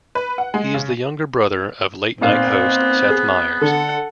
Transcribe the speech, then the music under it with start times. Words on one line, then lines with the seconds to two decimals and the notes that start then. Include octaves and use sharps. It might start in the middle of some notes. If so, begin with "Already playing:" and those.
He is the younger brother of "Late Night" host Seth Meyers.
0.15 B4
0.38 F#5
0.54 G#3
0.74 C#3
2.21 A#2 B3 C4 D#4 F5
3.10 G#4
3.61 D3 A4 F#5